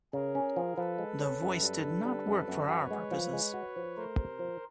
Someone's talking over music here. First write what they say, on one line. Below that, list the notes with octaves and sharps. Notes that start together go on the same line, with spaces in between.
The voice did not work for our purposes.
C#3 G#4 A#4
C#4
F3
F3 A4 B4
G#3
C#4
F#2
G3
D3
G3
F#2
F#2
F#4 B4 C#5
G#3
F3
G#3
F#4
F3
A3 A#4 C5
C3
F3